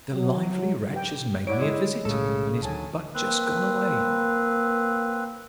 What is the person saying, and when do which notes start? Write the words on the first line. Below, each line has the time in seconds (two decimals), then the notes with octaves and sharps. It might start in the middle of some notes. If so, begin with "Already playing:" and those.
The lively wretch has made me a visit, and is but just gone away.
0.14 F#3
0.94 G4 B4 G5
1.47 E4 C#5 D5 F#5 D7
1.61 G#3
2.05 B1 A2 C#3 G#3 A4
2.63 D2 D3 D#3 F#3 G#5 A5
3.14 A#3 C4 B4